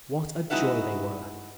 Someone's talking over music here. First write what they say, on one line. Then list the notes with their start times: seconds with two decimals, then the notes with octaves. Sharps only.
What a joy they were!
0.50 G#3 D#4 E4 F#4 B4 E5